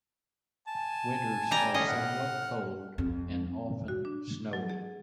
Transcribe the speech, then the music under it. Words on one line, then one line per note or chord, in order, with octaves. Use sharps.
Winters are somewhat cold and often snowy.
G#5 A5
G3 G5 A#5
A2 C#4 D#5
F#5 F6
F2
F#4
D4
F#3
G#4